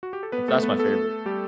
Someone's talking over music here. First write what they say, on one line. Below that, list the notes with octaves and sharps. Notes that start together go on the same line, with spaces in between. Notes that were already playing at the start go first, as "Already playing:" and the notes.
th that's my favorite.
F#4
G4
A4
B3 B4
A3 A4
B3 B4
A3 A4
G3 G4